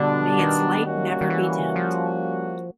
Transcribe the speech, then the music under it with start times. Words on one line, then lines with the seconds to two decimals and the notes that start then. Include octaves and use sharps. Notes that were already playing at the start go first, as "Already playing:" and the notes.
May its light never be dimmed.
Already playing: B2 D3 G3 B3 D4
0.39 D#3
0.84 G3 A#3 C#4 F#4
1.21 D#3
1.30 E3
1.76 F3